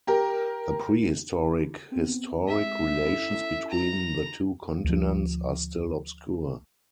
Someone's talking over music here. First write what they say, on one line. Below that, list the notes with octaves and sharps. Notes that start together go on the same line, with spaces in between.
The prehistoric historic relations between the two continents are still obscure.
G4 A#4
B3 C4
G#3 C4 E5
C#4 E4 A4
A#5
D2 F3